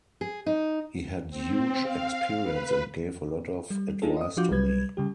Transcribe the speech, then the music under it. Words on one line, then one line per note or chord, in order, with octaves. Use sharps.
He had huge experience and gave a lot of advice to me.
G#4
D#4
C4
F5
B4
G3
A#3 D4 D#4 F4 G#4 A4
D#5 D#6
F3 D4 F4 F#4 D6 G6
C2 F#3 G3 B4 G#6
C#3 G3 G4